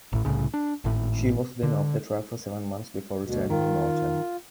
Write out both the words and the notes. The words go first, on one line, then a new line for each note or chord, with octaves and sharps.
She was then off the track for seven months before returning in autumn.
A1 A2
C2 A2 C#3
D4
G#1 A2
D3
D2 B2
D#3 F4